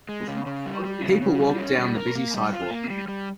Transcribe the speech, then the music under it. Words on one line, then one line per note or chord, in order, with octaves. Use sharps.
People walk down the busy sidewalk.
G#3
C#3
C#3
G3
G3
C#3
C#3
G3
C#4
G3
A#4
A#3
G3
F4
A#3
G3
G3